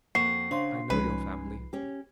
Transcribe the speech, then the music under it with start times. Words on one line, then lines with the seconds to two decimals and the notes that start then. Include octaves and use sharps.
I know your family.
0.15 F2 A#3 F#4 C7
0.51 C#3 D4 C5 C6
0.90 C2 F3 G#3 C#4 D#4 B4
1.73 C#4 G4